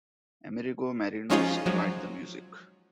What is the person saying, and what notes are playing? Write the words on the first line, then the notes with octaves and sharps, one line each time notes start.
Amerigo Marino supplied the music.
F3 G#3 C#4 D#4 F4 G#4
F3 F#3 G#3